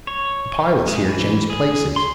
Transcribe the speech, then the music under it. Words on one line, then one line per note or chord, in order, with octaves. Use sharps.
The pilots here changed places.
C#5
G#3
E3
G#4
C6